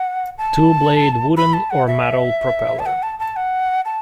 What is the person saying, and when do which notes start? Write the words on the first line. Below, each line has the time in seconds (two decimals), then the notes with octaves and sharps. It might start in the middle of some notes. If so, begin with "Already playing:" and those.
Two-blade wooden or metal propeller.
Already playing: F#5
0.38 A5
1.37 B5
1.54 A5
1.70 F#5
1.87 E5
2.79 A5
2.86 F#5
3.03 A5
3.19 A5
3.36 F#5
3.85 A5